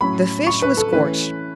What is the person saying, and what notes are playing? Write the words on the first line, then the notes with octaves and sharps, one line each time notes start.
The fish was scorched.
A2 F#3 C#4 B5
C#6
B4
A4
E3 A3 C#4 B4